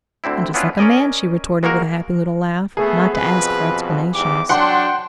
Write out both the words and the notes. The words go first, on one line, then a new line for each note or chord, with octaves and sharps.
"And just like a man," she retorted, with a happy little laugh, "not to ask for explanations."
D2 D3 C4 E4
B3 C#4 D4 E4 F4 B4
C#4 A#4 D5 D#5 G#5
G#3 A#3 F#4 A#4
A3 B3 G#4
F2 B2 F3 B4
E2 G#2 G4 D6
F#3 D4 F#5 G5 C6